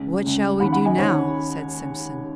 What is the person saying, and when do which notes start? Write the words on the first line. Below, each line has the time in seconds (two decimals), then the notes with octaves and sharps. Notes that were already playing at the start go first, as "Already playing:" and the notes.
"What shall we do now?" said Simpson.
Already playing: C#2 C#3
0.23 C#2 C#3
0.60 D#2 C#3 F#5 B5
0.72 F#5 B5
0.85 D#5 G#5
0.98 D#2 C#3 C#5 F#5